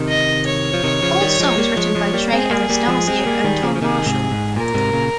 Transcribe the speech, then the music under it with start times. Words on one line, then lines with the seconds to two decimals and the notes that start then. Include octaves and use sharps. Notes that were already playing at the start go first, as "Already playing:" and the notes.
All songs written by Trey Anastasio and Tom Marshall.
Already playing: C3 D#3
0.09 D#5
0.46 C#5
0.74 F3
0.83 C3 D#3
1.02 C#3 F3
1.21 D#3 G3
1.40 F3 G#3
1.58 G3 A#3
1.77 F3 G#3
1.95 F3 G#3
2.13 G3 A#3
2.32 G#3 C4 G#4
2.51 G3 A#3
2.69 G3 A#3
2.88 F3 G#3
3.07 G#3 C4
3.26 G3 A#3
3.44 D#3 G3
3.63 C#3 F3
3.76 F3
3.81 C3 D#3 G#4
4.06 G#2 C3
4.31 G#2
4.56 A#2 A#4
4.75 G#2 C3
4.93 A#2 C#3